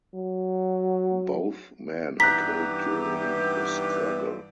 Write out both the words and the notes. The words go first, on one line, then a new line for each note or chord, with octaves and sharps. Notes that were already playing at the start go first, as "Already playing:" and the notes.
Both men are killed during the struggle.
F#3
G2 E3 B3 D#4 G4 A#5 F#6 B6